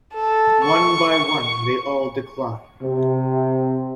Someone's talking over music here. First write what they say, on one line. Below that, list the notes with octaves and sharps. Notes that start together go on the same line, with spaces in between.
One by one they all decline.
A4
C#6
C3